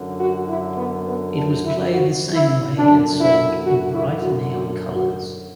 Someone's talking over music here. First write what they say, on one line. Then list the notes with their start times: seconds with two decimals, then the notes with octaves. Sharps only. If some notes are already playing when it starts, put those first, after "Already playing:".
It was played the same way and sold in bright neon colours.
Already playing: F#2 D3
0.17 F#4
0.46 E4
0.75 B3
1.04 B3
1.33 D4
1.62 E4
1.90 F#4
2.34 E4
2.77 F#2 D3 D4
3.20 E4
3.64 F#4
3.92 E4
4.21 F#4
4.49 F#4
4.92 F#4